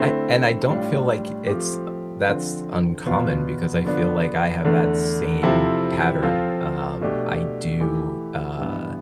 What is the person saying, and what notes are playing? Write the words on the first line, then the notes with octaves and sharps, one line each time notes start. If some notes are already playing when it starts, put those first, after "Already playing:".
I and I don't feel like i it's that's uncommon because I feel like I have that same pattern. Um, I do, uh,
Already playing: D3 A3 C4 E4
A2 G3 D4 F4
F3 A3 C4 G4
D3 F3 C4
E2 B2 B3 F4 B4
D3 F3 B3 D4
E2 D3 A3
C3 F3 C4 E4 A4
F3 C4 F4 A4
B2 A3 D4 G4
E3 A3 E4 G4
G2 E3 B3